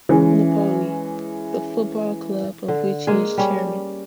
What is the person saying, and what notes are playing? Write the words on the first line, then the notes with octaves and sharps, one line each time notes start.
Napoli, the football club of which he is chairman.
E3 G#3 C#4
D3
G#3 A#3 G#4
G3 C#4